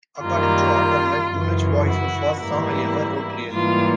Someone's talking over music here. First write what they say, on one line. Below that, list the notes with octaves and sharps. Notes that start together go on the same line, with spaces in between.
According to Aukerman: Eunuch Boy' is the first song I ever wrote, really.
F#2 D#3 G3 A#3 F4
F#2 C#3 E3
E4 F#4
G#2 E3 G3 A#3 E4
G#2 E3 G3 A#3 F4